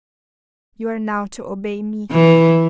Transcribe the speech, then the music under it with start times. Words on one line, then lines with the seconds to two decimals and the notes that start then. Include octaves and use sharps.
You are now to obey me.'
2.11 E3